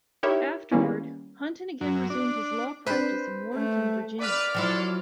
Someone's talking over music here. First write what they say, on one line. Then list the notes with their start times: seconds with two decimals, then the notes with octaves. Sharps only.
Afterward, Hunton again resumed his law practice in Warrenton, Virginia.
0.23 D#4 E4 G4 A#4 C#5 E5
0.72 D#3 G3 A#3 B3 C#4 E4
1.81 F#2
2.10 D4
2.86 C4 D4 B4 C5
3.54 A3
4.20 B4 D5 D6 F6
4.55 F3 F#3 D4 E4 A4